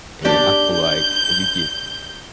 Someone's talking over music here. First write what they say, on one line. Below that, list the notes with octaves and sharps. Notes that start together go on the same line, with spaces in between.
and I feel like you get
D4 G4 G5 G6